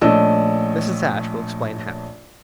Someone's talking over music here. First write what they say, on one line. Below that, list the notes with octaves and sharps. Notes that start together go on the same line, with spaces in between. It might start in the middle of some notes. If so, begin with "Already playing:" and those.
Mrs. Ashe will explain how.
A#1 A3 C#4 D5 D#5 E6